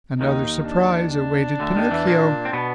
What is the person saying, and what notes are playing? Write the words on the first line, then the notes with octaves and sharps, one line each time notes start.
Another surprise awaited Pinocchio!
D#2 D#3 D#4
D4
D4
D2 D3
D#2 D#3
E2 E3
A#2 A#3
C4
B2 B3